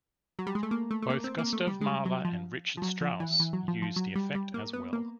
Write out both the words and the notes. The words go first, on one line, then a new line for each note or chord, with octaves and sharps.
Both Gustav Mahler and Richard Strauss used the effect as well.
F#3
G3
G#3
A3
A#3
A3
A3
A#3
C4
A#3
A3
G3
G#3
G3
F#3
F3
F3
F#3
F3
E3
E3
F#3
F3
F3
F#3
G3
G3
A#3
B3
A#3